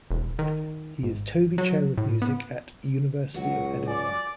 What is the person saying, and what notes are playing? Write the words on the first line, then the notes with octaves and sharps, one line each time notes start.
He is Tovey Chair of Music at University of Edinburgh.
E1
D#3
G#1
F#3
A2
B3
C#2 F#3 F#4
D5 G#5 D6